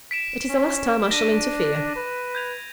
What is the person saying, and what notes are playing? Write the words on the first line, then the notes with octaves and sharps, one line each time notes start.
It is the last time I shall interfere.
B6 D7 E7
C#4
D4 A#6 D#7
B4
G6 G#6 F7